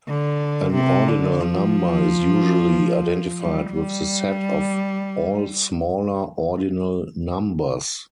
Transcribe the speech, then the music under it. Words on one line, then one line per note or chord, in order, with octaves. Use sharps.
An ordinal number is usually identified with the set of all smaller ordinal numbers.
D3
C3
D3
F3
G3
G3